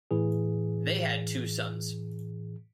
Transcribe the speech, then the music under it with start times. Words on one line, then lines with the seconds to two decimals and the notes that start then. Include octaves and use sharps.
They had two sons.
0.11 A2 E3 G#4